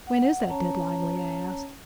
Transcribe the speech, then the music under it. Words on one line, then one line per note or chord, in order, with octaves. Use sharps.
"When is that deadline?" Lea asked.
F#5
C#4 C#5 A5 A#5